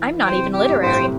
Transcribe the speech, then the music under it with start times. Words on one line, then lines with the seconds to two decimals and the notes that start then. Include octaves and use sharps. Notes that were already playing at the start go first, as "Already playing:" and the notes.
I'm not even literary.
Already playing: E3
0.13 E3
0.23 C5 G5
0.33 C3
0.53 G4
0.68 G2
0.82 A2 C5 G5
0.97 C3